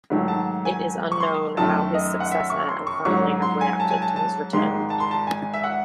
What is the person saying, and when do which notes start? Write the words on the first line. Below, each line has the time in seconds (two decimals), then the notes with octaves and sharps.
It is unknown how his successor and family have reacted to his return.
0.10 G#2 D#3 F#3 A3
0.28 A5
0.65 G#5
1.12 C#6
1.20 C6
1.57 F#2 D#3 A3 A5
1.94 D#5
2.20 F#5
2.31 E5
2.50 C#6
2.69 C6
2.87 C#6
3.05 G#2 F#3 C#4 C#6
3.42 C6
3.61 G#5
3.80 A5
3.91 G#5
4.02 A5
4.16 A5
4.53 G#1 G#2 D#3 G#3 C6
4.90 A5
5.00 C6
5.11 A5
5.27 G#5
5.54 E5
5.64 F#5